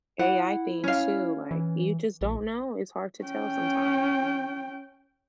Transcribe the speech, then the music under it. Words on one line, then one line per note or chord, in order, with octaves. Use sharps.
AI thing, too, like, you just don't know. It's hard to tell sometimes.
E4 F#5
C#4 F5
E3
A#1
C#4 G5